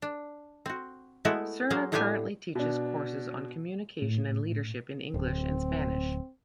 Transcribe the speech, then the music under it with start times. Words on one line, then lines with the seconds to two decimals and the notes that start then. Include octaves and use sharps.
Serna currently teaches courses on communication and leadership in English and Spanish.
0.02 D4
0.66 C4 F#4
1.25 G#3 A3 B3 E4 F#4
1.70 F#3 A#3 G#4 C5 F5
1.92 A2 A3 B3 D4 G4 G#5
2.55 B2 D4
4.02 A2
5.14 D1 C4